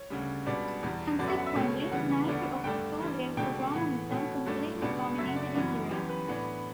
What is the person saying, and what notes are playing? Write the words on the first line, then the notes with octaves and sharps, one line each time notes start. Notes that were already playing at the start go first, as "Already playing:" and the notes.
Consequently, neither of the two waves of Romanism completely dominated in Europe.
Already playing: C#5
D2 C#3 G3
C#2 B2 G3 B3 D4 D5
E2 B2 G3
F#2 D3 F#3 B3 D4 D5
E5
F#5
E5
C#2 B2 A3 C#4
C#3 E3 G3 B3 F#5
D2 D3 G3 B3 D4
G2 D3 A3 D4 G5
G2 E3 G3
C#2 B2 A3 D4 G5
A2 E3 B3 F#5
B2 A3 C#4
G2 F#3 A3 D4
C#2 B2 G3 B3 D4
F#2 C#3 F#3 A3 E5
F#5
D5
F#4
F#2 E3 G3 B3 D4
F#2 E3 B3 G4
B4
A2 E3 B3 D4